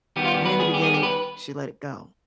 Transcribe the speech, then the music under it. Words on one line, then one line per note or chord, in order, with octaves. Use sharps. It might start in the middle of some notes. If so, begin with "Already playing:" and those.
and in the beginning, sh she let it go,
D#3 G3 B3 G4
F4
G4
B4
G#4
G4
G#4
G4
B4